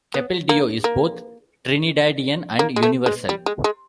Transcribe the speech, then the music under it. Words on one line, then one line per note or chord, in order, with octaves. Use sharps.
Capildeo is both Trinidadian and universal.
B3
A#3
A#3
A#3
G#3
A3
G#3
G3
G#3
G#3